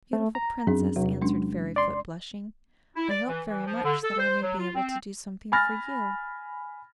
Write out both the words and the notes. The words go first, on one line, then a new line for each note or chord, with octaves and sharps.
"Beautiful Princess," answered Fairyfoot, blushing, "I hope very much that I may be able to do something for you."
A3
A#5
F#2 C4 D4 G#4
E2 C3 F#3
G#3 C#4 D4
D5 C6
E4
D5
E3
E3
F3
D3
A4
C5
F#3
F4
C4
G#5 B5 F6 A6 A#6